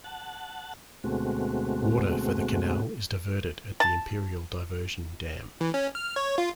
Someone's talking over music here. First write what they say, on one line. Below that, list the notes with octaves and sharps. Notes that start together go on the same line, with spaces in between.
Water for the canal is diverted at the Imperial Diversion Dam.
F#5 A5
D2 B2 G#3 A3 C4 F#4
A5
E3
C#4
F6
C#5
F4